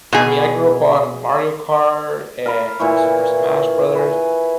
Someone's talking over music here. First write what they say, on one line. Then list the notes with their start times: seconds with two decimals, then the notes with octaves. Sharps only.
I mean, I grew up on Mario Kart, and, you know, Super Smash Brothers,
0.13 B2 G#4
2.46 A#4 F5 B5
2.79 A#2 E3 E4 C#5
3.95 B4 G#5